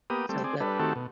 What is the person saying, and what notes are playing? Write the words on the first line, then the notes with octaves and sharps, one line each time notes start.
So good.
A#3 B3 G4 D#6
G3 A3 C4
C4 G#4 D5
G3 D4 A4 B4
D#3 A3 C4 F#4 G4 A4
B2